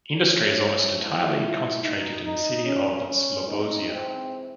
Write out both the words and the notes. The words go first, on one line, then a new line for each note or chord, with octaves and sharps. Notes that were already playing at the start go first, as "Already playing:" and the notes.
Industry is almost entirely concentrated in the city of Slobozia.
F#2 E3 A3 C4 C#5
E4
D#4
D#4
C#4
C#4
C3 E3 G#3 D#4
C4